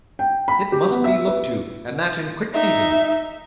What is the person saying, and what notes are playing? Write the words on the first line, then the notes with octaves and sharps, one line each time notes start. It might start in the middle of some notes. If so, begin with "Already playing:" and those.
It must be looked to, and that in quick season.
G5
B5
G4
B3
E5
B4
D#4 E5